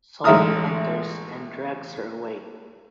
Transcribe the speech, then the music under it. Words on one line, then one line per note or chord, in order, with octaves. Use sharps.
Solon enters and drags her away.
A1 G#3 E5 A#5 D#6 F6